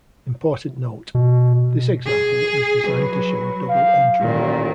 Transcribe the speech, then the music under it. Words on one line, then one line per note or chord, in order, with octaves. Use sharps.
Important note: this example is designed to show double entry.
B2
G#4
F#3 B4
F5
A1 A#2 D#3